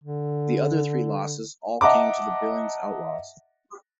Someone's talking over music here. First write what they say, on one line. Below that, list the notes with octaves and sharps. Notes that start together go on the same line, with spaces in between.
The other three losses all came to the Billings Outlaws.
D3
D#5 E5 F#5 A5 A#5 D6